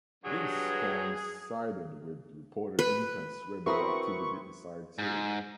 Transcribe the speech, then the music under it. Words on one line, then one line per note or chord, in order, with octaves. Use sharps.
This coincided with reported intense rebel activity inside Syria.
G2 F#3 G#4
B4
C4 E4 F#4 A#4 B4 B5 C#6 D#6
G#2